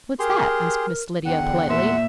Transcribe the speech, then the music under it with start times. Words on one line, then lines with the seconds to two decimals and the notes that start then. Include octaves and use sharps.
"What's that?" asked Miss Lydia politely.
0.19 G4 G#4 A#4 C6
1.26 E2 D3 F#5 G5
1.69 A#2 E5 C6